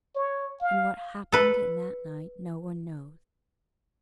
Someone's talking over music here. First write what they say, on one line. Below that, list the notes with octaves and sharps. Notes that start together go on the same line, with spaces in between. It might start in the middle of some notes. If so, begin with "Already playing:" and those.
And what happened in that night no one knows.
C#5
F5
A4 B4